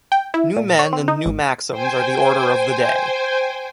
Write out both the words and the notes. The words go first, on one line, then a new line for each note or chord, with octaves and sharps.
New men and new maxims are the order of the day.
G5
E4
A#2
C#5
C4
D#4
G#1
C5 G5 G#5